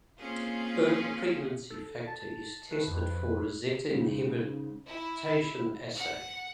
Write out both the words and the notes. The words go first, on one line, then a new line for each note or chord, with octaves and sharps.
Early pregnancy factor is tested for rosette inhibition assay.
A#3 C4 C#4 F4 G#4
A4
A5
A3 B4
F2
G#2 C#3
E4
F#5